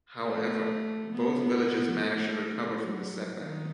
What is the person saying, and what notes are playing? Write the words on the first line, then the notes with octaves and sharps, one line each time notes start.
However, both villages managed to recover from this setback.
A3
B3
B3
A3
A3
F#3
D#3